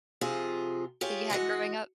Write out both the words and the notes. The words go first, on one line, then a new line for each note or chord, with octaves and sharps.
that you had growing up?
C3 F3 F4 G#4
F4 G4 G#4 C#5
E3 G#3 F#4 D#5